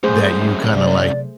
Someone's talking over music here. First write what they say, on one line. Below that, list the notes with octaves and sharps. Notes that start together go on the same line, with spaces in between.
that you kinda like
C2 F#2 A3 G#4 C5
C3 F#3 D5